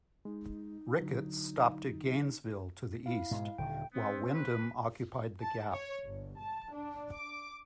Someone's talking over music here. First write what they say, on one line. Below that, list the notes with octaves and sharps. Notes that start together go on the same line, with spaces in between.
Ricketts stopped at Gainesville, to the east, while Wyndham occupied the gap.
G#3 D#4
D3 F#3
E4 F5
G#2 B2 G#3
D#1 D3 D#3 G5
B3 C4
B4
A5
C#5
G1
A5
D4
D6